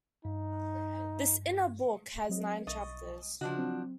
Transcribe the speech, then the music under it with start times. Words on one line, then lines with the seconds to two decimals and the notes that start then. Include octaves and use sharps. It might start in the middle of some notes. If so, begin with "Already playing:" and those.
This "inner" book has nine chapters.
0.25 G2 D#4
2.29 F#3 C4 D#5
2.67 B1 D#5 C#6 A6
3.41 C#3 F3 D4 F#4 D#5
3.57 F#3 C4